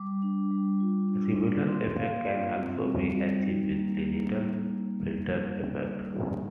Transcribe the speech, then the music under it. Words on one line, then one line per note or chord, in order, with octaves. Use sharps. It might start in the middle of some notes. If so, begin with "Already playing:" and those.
Similar effects can also be achieved with digital filter effects.
Already playing: G3 D6
D4
G3
F4
D4
A#3
A#3 C6
A#3 F5
F4 F5
C4
G3
G3
D#4
A#3
A#3